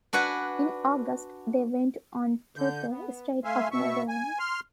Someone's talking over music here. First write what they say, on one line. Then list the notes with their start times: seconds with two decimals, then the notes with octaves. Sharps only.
In August they went on to the Strait of Magellan.
0.13 D4 F#4 B4 F#5 G#5
2.57 D3 G6
2.89 B3
3.44 A3 E5 F5 G#5 C6
3.71 B2 E5 C#6
4.09 G#5
4.39 C6 F6